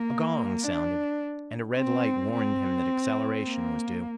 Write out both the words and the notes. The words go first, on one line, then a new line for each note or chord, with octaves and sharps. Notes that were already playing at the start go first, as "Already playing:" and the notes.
A gong sounded, and a red light warned him that acceleration was due.
Already playing: A#3
D4
C4
C4
A#3